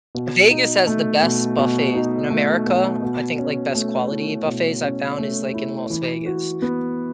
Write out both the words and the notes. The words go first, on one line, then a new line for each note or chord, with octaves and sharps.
Vegas has the best buffets in America, I think, like, best quality buffets I found is, like, in Las Vegas.
B2
D#4
A3
B2
B2
D#4
A3
B2
B2
C#4
A3
E4
B2
C#4
A3
E4
E3
F#4
B3